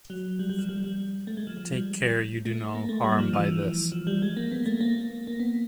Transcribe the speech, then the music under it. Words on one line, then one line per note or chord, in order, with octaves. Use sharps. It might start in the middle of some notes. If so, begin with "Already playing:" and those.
Take care you do no harm by this.
F#3
G3
G3
F3
G3
G3
A3
G#3
F3
F3
G3
A3
A#3
A3
G3
F3
E3
E3
F3
G3
G#3
A#3
B3
A3
A#3
A#3
B3